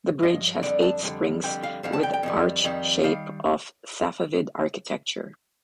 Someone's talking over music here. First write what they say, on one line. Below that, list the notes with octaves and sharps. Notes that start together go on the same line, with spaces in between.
This bridge has eight springs with arch shape of Safavid architecture.
G2 F3 D#5
F2 D3 G3 D5
A5
F2 D3 G3
F2 D3 G3 G5
F5
F2 D3 G3 F5
A5
G5
G5
F2 D#3 G3
F2 D#3 G3
D#3 G3 F5